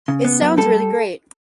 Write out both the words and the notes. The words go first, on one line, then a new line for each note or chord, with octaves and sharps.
It sounds really great.
C#3
B3
F#2
G3 A4